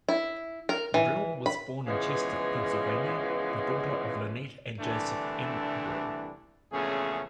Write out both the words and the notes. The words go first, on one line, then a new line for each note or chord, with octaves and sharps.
Brill was born in Chester, Pennsylvania, the daughter of Linette and Joseph M. Brill.
E4
A#4
E3
B5
C#3 E3 F3 G#3 B3
C2 D3 E3 A3 D4
A#1 E2 C#3 A3 C#4 G#4